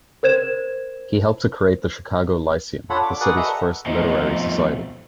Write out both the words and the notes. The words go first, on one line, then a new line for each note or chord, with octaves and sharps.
He helped to create the Chicago Lyceum, the city's first literary society.
A#4 C5 G#6 E7
D4 F4 A4 C#5 F#5 B5
D6
F#4 G#4 A#4 B4 D5 F#5
A4 B4 D#5 E5 F#5 A#5
F2 B2 F3 A3 D#4